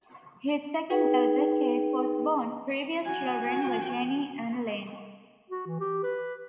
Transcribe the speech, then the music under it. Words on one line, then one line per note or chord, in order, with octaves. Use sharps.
His second daughter, Kate, was born; previous children were Jenny and Lane.
D#4 G#4 B4 G5
F#4 G#5
F#4
E3
G4
B4